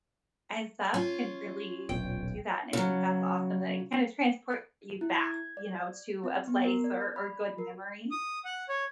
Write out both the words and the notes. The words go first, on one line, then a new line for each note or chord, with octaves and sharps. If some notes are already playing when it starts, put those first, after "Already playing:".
and stuff can really do that, and I think that's awesome that it, kinda, transports you back, you know, to a place or or good memories.
C#4 F4
D#1 B1 G5
C#3 F#3
E4
G#6
D5
C4
B3
A#4
D5
D5
B5
A#4
D#6
F#5
C#5